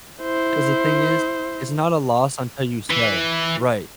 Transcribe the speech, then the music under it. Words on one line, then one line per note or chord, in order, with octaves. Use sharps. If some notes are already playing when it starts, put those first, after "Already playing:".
'Cause the thing is, it's not a loss until you sell, right?
E4 C5
E3